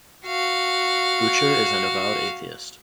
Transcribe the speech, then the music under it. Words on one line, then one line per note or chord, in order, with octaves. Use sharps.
Boucher is an avowed atheist.
F#4 F5